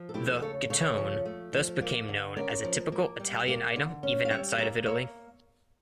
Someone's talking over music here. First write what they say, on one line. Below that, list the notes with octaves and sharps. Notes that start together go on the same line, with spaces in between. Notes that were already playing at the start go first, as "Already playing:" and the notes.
The "gettone" thus became known as a typical Italian item even outside of Italy.
Already playing: F3
A4
A3 E4 G4
C#3 A4 C#5
C#3 A4 C#5
F3
A3
F3
A#3
D3
C#4 A#4 D5
F3
A#3
G3
A#3
D3
C#4
F5
G3 C#5 E5
A#3 C#5 E5
A#3 C#5 E5